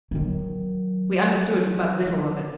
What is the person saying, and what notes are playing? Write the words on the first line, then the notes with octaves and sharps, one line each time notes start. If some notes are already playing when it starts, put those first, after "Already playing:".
We understood but little of it.
D#3 F#3